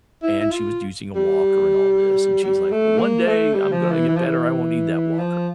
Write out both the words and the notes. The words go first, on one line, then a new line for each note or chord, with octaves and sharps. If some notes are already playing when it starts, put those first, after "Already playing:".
and she was using a walker and all this, and she's like, "Well, one day I'm gonna get better, I won't need that walker."
E4
E4
F4
G3
G3
A3
A#3
A3
G3
F3
E3
E3
F3
E3
F3